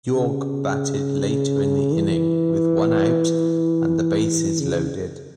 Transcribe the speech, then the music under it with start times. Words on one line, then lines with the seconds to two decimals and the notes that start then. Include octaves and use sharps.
Iorg batted later in the inning with one out and the bases loaded.
0.16 C#3
1.93 E3
4.60 C#3